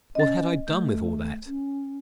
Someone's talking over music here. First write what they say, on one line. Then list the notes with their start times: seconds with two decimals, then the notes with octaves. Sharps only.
What had I done with all that?
0.15 C#4 D#5 A6
0.67 A3 G6
1.46 C#4